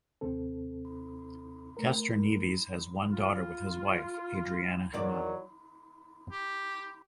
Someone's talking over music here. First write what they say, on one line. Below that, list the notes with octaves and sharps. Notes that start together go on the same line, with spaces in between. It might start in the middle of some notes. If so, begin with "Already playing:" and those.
Castroneves has one daughter with his wife, Adriana Henao.
D#2 C3 C4 A4
A3 A#4
F4
E2 D#3 F#3 D5
G4